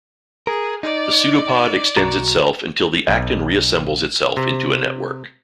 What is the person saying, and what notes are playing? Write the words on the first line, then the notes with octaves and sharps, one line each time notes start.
The pseudopod extends itself until the actin reassembles itself into a network.
G#4 A#4
D#4 D5
B1 F#4 A#5
B1
C3